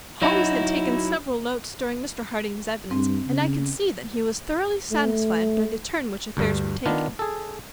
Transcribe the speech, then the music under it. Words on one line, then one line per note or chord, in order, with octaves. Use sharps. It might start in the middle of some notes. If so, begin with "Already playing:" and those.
Holmes had taken several notes during Mr. Harding's evidence, and I could see that he was thoroughly satisfied by the turn which affairs were taking.
F#3 D#4 E4 F#4
G2 C4
C#3
A3
D2 G2
D#3 B3 D4 F4
G#4 A4